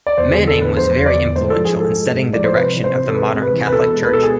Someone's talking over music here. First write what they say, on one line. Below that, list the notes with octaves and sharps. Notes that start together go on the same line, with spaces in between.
Manning was very influential in setting the direction of the modern Catholic Church.
D5
E2 C5
G#4
D3
A4
E2 B4
F3 C5
E2
D5
D3
G#2 C5
A4
F3
G#4
G#2 A4
G#3
G#2
F3 D5
C5
C3 B4
E3
C5
C3
A4
G#3 B4
C3
B4
E3
B4
B2 A4
G#3
B4
B2 A4
G#4